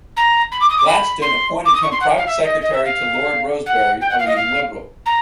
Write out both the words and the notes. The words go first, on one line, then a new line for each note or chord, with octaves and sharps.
Gladston appointed him private secretary to Lord Rosebery, a leading Liberal.
A#5
B5
D6
D#6
D6
B5
C6
D6
D#6
C#6
C6
F#5
F5
E5
D#5
D#5
E5
F5
F#5
G5
F#5
F5
D#5
F5
A#5